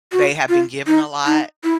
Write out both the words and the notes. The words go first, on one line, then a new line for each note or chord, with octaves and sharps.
they have been given a lot
F#4
F4
D#4
D#4
E4